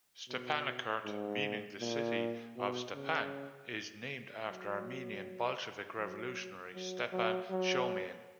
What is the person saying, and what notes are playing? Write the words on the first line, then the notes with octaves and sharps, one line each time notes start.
"Stepanakert" meaning the "city of Stepan" is named after Armenian Bolshevik revolutionary Stepan Shaumian.
B2
G#2
A#2
B2
C#3
F#3
F#3
F#3
F#3
F#3